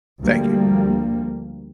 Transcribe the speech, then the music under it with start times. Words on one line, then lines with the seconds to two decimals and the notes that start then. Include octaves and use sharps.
Thank you.
0.21 D2 F3 G3 A#3